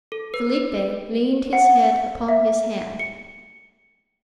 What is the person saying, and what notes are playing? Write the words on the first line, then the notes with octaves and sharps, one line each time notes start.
Felipe leaned his head upon his hand.
A4
B4
B4
F#5
E5
C#7